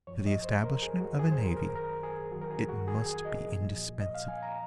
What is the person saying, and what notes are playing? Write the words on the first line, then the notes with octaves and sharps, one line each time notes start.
To the establishment of a navy, it must be indispensable.
F#2 F3 C#5
D#5
C5
A#4
G#4
F#4
F#2 D#3 F#3 G#4
C5
A#4
A#4
A#4
G#4
F2 D#3 F#3 F#4
A#4
G#4
F#4
G#4
G#4
D#5
A#2 F3
D#5
F5
G#5
A#5